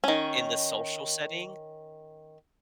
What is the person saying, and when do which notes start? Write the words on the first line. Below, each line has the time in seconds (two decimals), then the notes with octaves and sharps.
in the social setting?
0.04 D#3 C#4